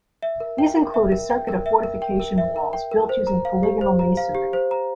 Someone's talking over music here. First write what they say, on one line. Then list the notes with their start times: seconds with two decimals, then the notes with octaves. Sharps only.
These include a circuit of fortification walls built using polygonal masonry.
0.23 E5
0.40 A#4
0.58 G5
0.77 A#4
0.94 E5
1.12 A#4
1.30 G5
1.49 A#4
1.66 E5
1.83 A#4
2.02 G5
2.20 A#4
2.38 E5
2.56 A#4
2.73 G5
2.91 A#4
3.09 C5
3.27 A#5
3.45 F5
3.63 G4
3.81 C5
3.99 A#5
4.17 F5
4.35 G4
4.53 C5
4.71 A#5